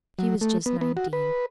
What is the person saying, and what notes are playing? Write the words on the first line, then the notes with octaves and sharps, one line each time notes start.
She was just nineteen.
F#3
A3
B3
B3
F#4
B4